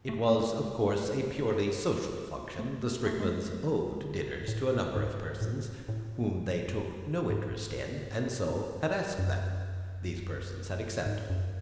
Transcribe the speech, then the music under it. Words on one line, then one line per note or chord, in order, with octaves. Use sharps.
It was, of course, a purely social function. The Stricklands "owed" dinners to a number of persons, whom they took no interest in, and so had asked them; these persons had accepted.
A3
A3
G#3
A3
A3
A3
G#3
A3
F#3
G#3
D3
C#3
A2
G#2
A2
A2
G#2
F#2
G#2
F#2